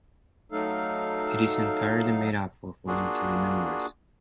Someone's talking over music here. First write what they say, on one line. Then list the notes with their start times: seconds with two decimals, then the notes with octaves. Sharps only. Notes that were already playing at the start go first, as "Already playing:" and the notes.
It is entirely made up of voluntary members.
0.52 F#3 A3 D#4 A4 F5
2.87 A#3 D4 F4 F#4 G#4